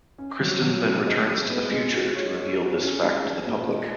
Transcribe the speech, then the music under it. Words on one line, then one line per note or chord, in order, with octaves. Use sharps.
Kristin then returns to the future to reveal this fact to the public.
C#4
F#3
F#3
C#4
G#3
G#3
B3
G#3
F#4
C#5
C#5
F#4
C#4
G#3
G#3
A#2
G#3